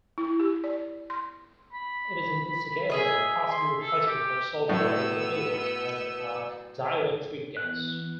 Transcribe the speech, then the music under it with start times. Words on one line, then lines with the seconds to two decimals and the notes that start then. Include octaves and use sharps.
It is investigated as a possible replacement for sulfur hexafluoride as a dielectric gas.
0.18 E4
0.40 G4
0.64 D5
1.10 C6
1.73 B5
2.90 G#4 D#5 E5
3.51 C6
3.80 A4
4.07 G4
4.69 A2 F#3 B3 E6
7.57 E3 B3 F#6